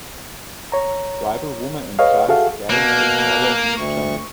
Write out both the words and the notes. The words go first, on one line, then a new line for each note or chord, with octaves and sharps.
Tribal woman and child staring at each other in the jungle.
C#5 A#5
G#4 B4 C#5 D#5 F5
F#4 G#4 A4 E5 F5
B2 A#3 F#6
D2 C#6